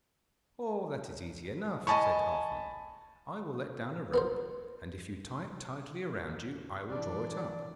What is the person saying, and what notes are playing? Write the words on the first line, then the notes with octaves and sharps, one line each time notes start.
'Oh, that is easy enough,' said Halfman. 'I will let down a rope, and if you tie it tightly round you, I will draw it up.'
D#5 G#5 A5 B5 C#6
B3 A#4 C5
E3 D4 D5